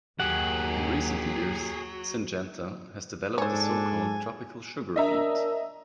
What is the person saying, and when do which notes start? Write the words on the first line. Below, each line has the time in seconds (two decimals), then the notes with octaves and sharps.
In recent years, Syngenta has developed the so-called tropical sugar beet.
0.20 D#2 F#3 G4 G#4 F#5
3.38 G#2 D4 A4 C5 C#5 G#5
4.96 D4 A#4 D#5 E5 A#5